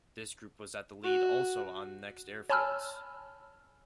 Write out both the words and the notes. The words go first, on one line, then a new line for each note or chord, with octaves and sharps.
This group was at the lead also on next airfields.
F#4
C#5 G#5 A5 B5 E6 F6